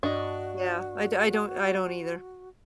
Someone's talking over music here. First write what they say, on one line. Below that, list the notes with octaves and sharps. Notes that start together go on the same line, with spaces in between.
Yeah, I d I don't I don't either
G2 D4 F#4 D#5 C#6